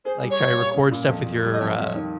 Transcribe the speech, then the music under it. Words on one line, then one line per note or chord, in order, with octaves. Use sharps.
like try to record stuff with your, uh,
G#4 C5
G3
C#5
A#2
G3
C#4
A#2
F2
F2
G3
D#5
F2 C#5
F2
C#5
D#3